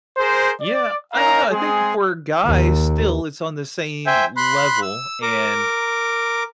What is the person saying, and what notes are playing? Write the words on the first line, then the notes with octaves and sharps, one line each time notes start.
Yeah. I don't know, I think for guys, still, it's on the same level, and
G#4 A#4 C5
D5
C#4 D#4 A#4 F5 A#5
G#3 C4 G#4
D#2
C5 E5 G5 G#5
B5 C6 F#6
E6
A#4 D6